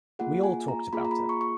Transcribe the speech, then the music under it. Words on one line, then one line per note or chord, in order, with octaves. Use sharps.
We all talked about it.
A#3 F4 G#4 F#5
G#5
A#5
A#3 F4 G#4 B5
A#5
B5
C#6
C#6